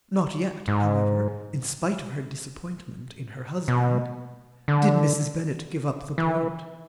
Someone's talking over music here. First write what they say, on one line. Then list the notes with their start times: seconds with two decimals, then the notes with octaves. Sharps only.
Not yet, however, in spite of her disappointment in her husband, did Mrs. Bennet give up the point.
0.68 G#2
3.68 B2
4.68 D3
6.18 E3